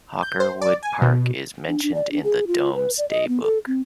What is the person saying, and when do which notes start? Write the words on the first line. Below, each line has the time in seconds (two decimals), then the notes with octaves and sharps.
Hockerwood Park is mentioned in the Domesday Book.
0.23 G6
0.40 C5
0.62 D5
0.83 G#5
1.02 B2
1.68 D4
1.83 D4
1.94 D5
2.11 D4
2.24 G#4
2.47 F4
2.75 B4
2.98 D5
3.10 D#5
3.28 B3
3.43 A4
3.67 C4